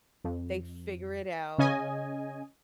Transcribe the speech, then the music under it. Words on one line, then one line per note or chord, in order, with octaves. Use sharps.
they figure it out,
F2
C#3 C#4 D#5 G#5